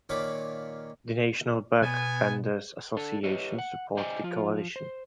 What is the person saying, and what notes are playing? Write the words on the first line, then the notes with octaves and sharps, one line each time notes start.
The National Bulk Vendors Association supports the Coalition.
A#2 D#3 F4 C#5 B5 D6
B2 B3 G#5
D4 A4
G4 B4 C#5 D#5
F#5
C5 D5 D#5 G5 G#5
F3 F4
C5